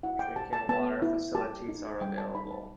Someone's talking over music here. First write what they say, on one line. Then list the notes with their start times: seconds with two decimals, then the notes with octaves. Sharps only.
Drinking water facilities are available.
0.03 E4 F#5
0.19 G5
0.36 G4 A5
0.53 A5
0.69 B3 A5
1.02 E4
1.35 G4 A5
1.68 D#4
2.01 G3 G5
2.18 A5
2.35 D#4 B5
2.51 A5